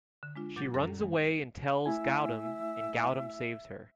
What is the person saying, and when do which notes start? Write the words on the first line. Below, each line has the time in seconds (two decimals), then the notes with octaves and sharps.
She runs away and tells Gautham and Gautham saves her.
0.23 D3
0.36 G#3 D4 F4
0.56 A#2 F#3 D6 G6 A6
0.74 F#2 F#3 C#4 A4 A6 A#6
1.01 E3 G#3
1.86 A3 E4 E5 G#5